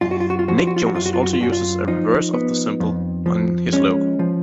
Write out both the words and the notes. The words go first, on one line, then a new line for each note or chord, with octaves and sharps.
Nick Jonas also uses a reverse of the symbol in his logo.
F#2 F4
F#4
F4
F#4
F4
F3 F#4
F4
F#4
F4
F#4
F#2 F4
F#4
F4
F#4
F4
F#2 F#4
F4
F3 D#4
B3
F2
F3
G#3 C#4
F3